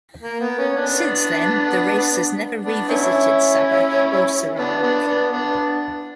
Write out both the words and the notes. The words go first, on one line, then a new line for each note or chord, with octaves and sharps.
Since then, the race has never re-visited Sabah or Sarawak.
A#3
B3
C#4
B3 D4
B3 D4
C#4 E4
B3 D4
B3 D4
B3 D4
B3 D4